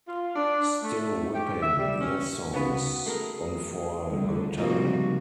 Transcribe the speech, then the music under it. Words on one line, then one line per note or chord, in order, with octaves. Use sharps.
Still whipping "Yessongs" on for a good time?
F4
D4
A3
G4
E5
G3
C#4
B3 C#4 D#4 F#4 B4 F5
A3 G#4 A#4
A2 D3 G3 A3
C3 F3 G3 A#3 D#4 F4 F#4